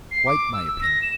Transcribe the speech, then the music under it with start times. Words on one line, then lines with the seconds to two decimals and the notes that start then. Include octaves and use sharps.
"Quite my opinion."
0.11 C7
0.27 D6
0.53 E6
0.66 E6
0.82 A#6
1.02 E7